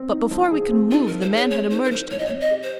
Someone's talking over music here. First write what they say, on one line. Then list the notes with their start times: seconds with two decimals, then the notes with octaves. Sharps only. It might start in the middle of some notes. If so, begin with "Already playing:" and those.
But before we could move, the man had emerged again.
Already playing: C4
0.11 D#4
0.31 F3
0.51 G#4
0.71 C4
0.91 D#4 F4
1.06 A#4
1.11 F3
1.21 C5
1.31 G#4 C#5
1.51 C4 C#5
1.71 D#4 C5
1.84 A#4
1.91 F3 C5
2.11 F3 C#5
2.19 D#5
2.26 C#5
2.31 C4
2.41 D#5
2.51 G4
2.63 C5